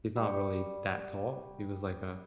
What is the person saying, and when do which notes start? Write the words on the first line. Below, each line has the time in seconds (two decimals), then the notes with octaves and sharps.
he's not really that tall. He was like a
0.16 G3 C#6